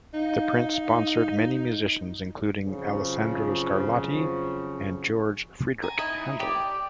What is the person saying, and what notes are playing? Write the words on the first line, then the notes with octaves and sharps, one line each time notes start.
The prince sponsored many musicians including Alessandro Scarlatti and George Frideric Handel.
D#4 F5
F2 C#3 F3 F#3
G#5 A#5
D#4 E4 D#5
G4 D5